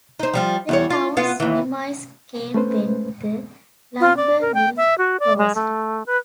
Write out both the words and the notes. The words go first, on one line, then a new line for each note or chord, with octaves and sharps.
The town's demise came when the lumber mill closed.
D#4 C5
F3 G3 F4
E2 G3 C#5
F4
B3 F4
D#2 E3
A3 C#4 B4 C5
F4
D5
A#4
G5
E5
F#4
D5
G#3
A3
B4